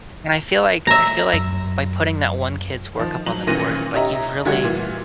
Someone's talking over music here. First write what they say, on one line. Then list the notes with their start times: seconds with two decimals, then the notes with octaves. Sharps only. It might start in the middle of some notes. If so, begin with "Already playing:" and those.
and I feel like I feel like by putting that one kid's work up on the board, like, you've really
0.87 E5 A#5
1.34 F#2
2.95 D#3 F3
3.26 F#3 F#7
3.47 G#1 A#2 E3 C#4 A#6 D#7
3.94 G4 C#5 D#5 E5 A#5
4.45 D2 G3 F#4 F#5 G#6
4.63 A#2 E3